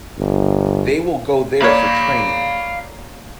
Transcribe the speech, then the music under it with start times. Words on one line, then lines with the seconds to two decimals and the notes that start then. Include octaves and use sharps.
They will go there for training.
0.19 G1
1.62 A#3 C#5 D5 F5 B5